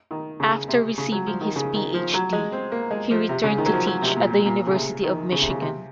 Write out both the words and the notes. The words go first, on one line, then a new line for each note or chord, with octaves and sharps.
After receiving his PhD, he returned to teach at the University of Michigan.
D#3
C#3
C3
C#3
F#3
F3
D#3
C#3
D#3
F3
F#3
G#3
C4
A#3
G#3
F3
C3
C#3
D#3
F#3
F3
F#3
C3
A#2
A#2
A#2
C#3
C3
D#3
C#3
C3
C#3
C3